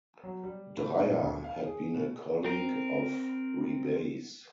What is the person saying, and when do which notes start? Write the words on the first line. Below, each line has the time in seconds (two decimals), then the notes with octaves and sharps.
Dreier had been a colleague of Rebay's.
0.24 F#3
0.44 G3
0.77 A2
1.01 A#2
1.21 D2
1.44 F5
1.65 G#4
1.94 B2
2.45 C4 A#4